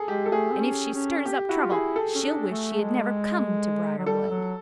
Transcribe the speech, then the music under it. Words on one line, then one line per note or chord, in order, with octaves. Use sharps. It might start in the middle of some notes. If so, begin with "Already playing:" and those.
"And if she stirs up trouble, she'll wish she had never come to Briarwood!"
Already playing: G#4 A4
G#3 G4
A4
A3 G#4
C4
C#4
C#4
G4
E4 F#4
F4
E4 G#4
A4
C#4
D4
A3
G#3
F#3
G3 A4
F#3